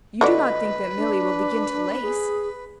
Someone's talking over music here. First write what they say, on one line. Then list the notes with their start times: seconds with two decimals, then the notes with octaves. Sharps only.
"You do not think that Milly will begin to lace?"
0.21 D3 F#4 B4 D5 D#5
0.96 D4
2.02 G#4